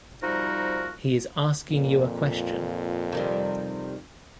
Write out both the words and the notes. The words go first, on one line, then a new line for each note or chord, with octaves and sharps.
He is asking you a question.
C3 F3 G3 D#4 F#4 A#4
F2 A#2
C3 D#3 G3